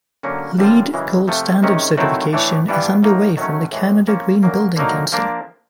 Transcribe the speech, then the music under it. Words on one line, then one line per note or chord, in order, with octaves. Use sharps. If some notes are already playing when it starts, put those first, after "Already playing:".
Leed Gold Standard certification is underway from the Canada Green Building Council.
D3 F#3 A#3 C#4
F#2 D3 G3 C4 F4
F#2 C#3 E3 G#3
C3 F3 A3
C3 D#3 G#3 C#4
D#3 F#3 A3 C4 E4
A2 E3 A3 D4
G2 E3 G3 B3 D4
A2 F#3 A#3 D#4
D#3 F#3 A3 C#4
A2 E3 G#3
F3 A#3 C#4
F#2 D3 F#3 A#3
D3 F#3 A#3 D#4
F3 A#3 D4